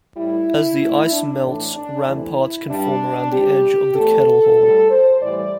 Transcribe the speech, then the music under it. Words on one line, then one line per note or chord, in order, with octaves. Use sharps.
As the ice melts, ramparts can form around the edge of the kettle hole.
A2 G3 E4
A2 A3
D4
A2 E3 A3 D4
D4
E2 C3 E3 A3 E4
G2 G3 D4
C3 G3 G4
E2 C3 A3 A4
A2 G3
C5
A2 E3 G3 D5